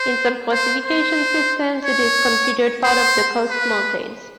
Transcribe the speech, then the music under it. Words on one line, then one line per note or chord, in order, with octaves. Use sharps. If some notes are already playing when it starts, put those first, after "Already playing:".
In some classification systems it is considered part of the Coast Mountains.
Already playing: C5
C5
C5
C#5
C5
B4